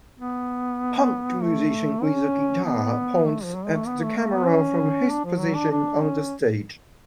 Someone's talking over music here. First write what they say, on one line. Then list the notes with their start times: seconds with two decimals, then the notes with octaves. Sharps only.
Punk musician with a guitar pouts at the camera from his position on the stage.
0.19 B3
1.42 A3
2.03 C#4
2.65 B3
3.26 A3
3.44 F3
3.55 F#3
3.66 G#3
3.77 A3
3.87 B3
4.03 A3
4.17 A3
4.34 B3
4.48 C#4
5.10 D4
5.25 F3
5.40 F#3
5.55 D4
5.72 D4
6.02 C#4